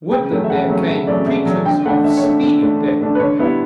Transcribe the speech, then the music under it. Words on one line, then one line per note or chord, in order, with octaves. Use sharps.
Would that there came preachers of SPEEDY death!
C#3 G5
F#3 A3 C#4
E5
C#3 F#5
F#3 A3 C#4
C#3 E5
F#3 A3 C#4 D5
C#3 E5
F#3 A3 C#4
D3 G5
A3 D4 F#5
D3 E5
C#5
A3 D4
D3
A3 D4
D3
A3 D4
B4
D3 C#5
G3 B3 E4